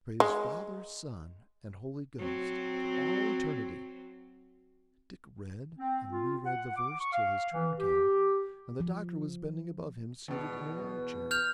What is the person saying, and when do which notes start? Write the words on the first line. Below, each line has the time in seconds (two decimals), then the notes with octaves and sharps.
Praise Father, Son, and Holy Ghost To all eternity! Dick read and re-read the verse till his turn came, and the doctor was bending above him seated in an arm-chair.
0.20 G#3
2.19 F#3 C4
5.78 C4
6.11 F4
6.45 F#5
6.76 D6
7.00 C#6
7.13 F5
7.52 E3
7.79 G4
8.80 F3
10.28 E2 B2
11.31 F6 G6 F7